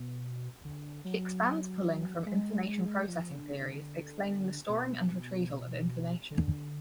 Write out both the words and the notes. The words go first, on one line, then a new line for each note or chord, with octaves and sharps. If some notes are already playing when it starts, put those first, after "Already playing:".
She expands pulling from Information processing theories explaining the storing and retrieval of information.
Already playing: B2
D3
F#3
G#3
G#3
F3
D3
D3
B2
D3